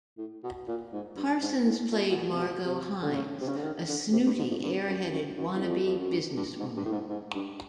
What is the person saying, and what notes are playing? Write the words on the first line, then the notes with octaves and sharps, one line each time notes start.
Parsons played Margot Hines, a snooty, airheaded wanna-be businesswoman.
A2
B2
A#2
G#2
G2
G#2
A2
A#2
A#2
B2
C3
B2
C3
D3
C#3
C3
C#3
D3
D#3
D3
C3
G2
G#2
F2
G2
F#2
F#2
F#2
E2
F2
F2
F#2
G2
G2
G#2
G2
A2
G#2
G#2
G2